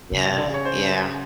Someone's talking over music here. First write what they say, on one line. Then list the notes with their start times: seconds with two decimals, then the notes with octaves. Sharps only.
Yeah, yeah.
0.12 C#3
0.30 C3
0.37 D3
0.47 C#3
0.54 C#5
0.65 C5